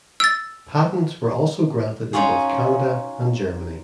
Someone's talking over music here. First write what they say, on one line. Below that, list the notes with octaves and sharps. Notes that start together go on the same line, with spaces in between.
Patents were also granted in both Canada and Germany.
E6 A6
C#4 D#4 F4 F#4 G#4